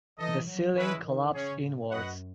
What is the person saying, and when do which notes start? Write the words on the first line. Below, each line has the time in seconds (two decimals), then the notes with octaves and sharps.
The ceiling collapsed inwards.
0.18 E3 D#4 A4 D#5
0.47 F#3
0.76 E3 G#3 C#4 E4 B4
1.04 D#3
1.33 C#3 C#4 G#4 C#5
1.62 A2
1.91 F#2 F#4 B4 D#5 F#5